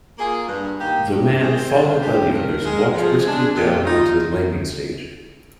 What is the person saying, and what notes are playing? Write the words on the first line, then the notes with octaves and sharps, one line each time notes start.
The man, followed by the others, walked briskly down on to the landing-stage.
A#3 F4 G#4
G2
D#3 A#3 D#4 G4
G2 G4
G4
D#3 G#3 C4 G#4
C5
G2 D5
A#4
C5
D3 G#3 D4 G4
C5
C5
G2 A#4
D#3 G#3
F3 G#4
G#3 D4
A#2 G4
D#4 F4